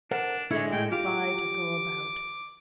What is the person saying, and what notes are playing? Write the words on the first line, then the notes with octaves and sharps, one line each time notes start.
Stand by to go about.
D4 A#4 C5 F#5
A2 D3 E4 C#5
A2 G5
F4 G4 D6